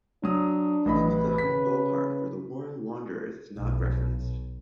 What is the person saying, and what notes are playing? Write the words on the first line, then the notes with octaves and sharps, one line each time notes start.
The name of the home ballpark for the Warren Wanderers is not referenced.
F#3 D4 D#6
A1 B4 D#5 B5
C#3 B6
B1